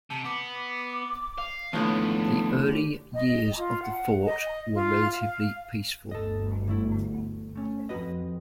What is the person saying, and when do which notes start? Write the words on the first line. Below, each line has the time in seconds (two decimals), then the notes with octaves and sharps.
The early years of the fort were relatively peaceful.
0.10 C3 A5
0.24 B3 D6
1.38 F5
1.73 D#2 A2 D3 F3 B3 A5
2.65 G4
3.14 D#5
3.58 F4
3.83 F#5
4.25 D#5
4.75 F4
5.12 F5
6.11 G1 D2 A4 D#5
6.68 D3 A3 E4
7.55 A3 C#4
7.89 F2 F#4 B4 D#5